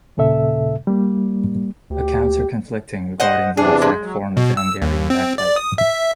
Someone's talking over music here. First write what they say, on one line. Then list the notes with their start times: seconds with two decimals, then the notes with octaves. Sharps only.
Accounts are conflicting regarding the exact form of the Hungarian bagpipe.
0.17 D#2 A#2 C#3 A4 E5
0.87 G3 A#3
1.90 D2 G4
3.20 C5 D#5 F#5
3.57 E2 C3 D4 G#4
3.82 G#3
4.03 F#3
4.37 B2
4.57 E6
4.82 D#2
5.10 C4
5.38 D5
5.56 D#6
5.78 E5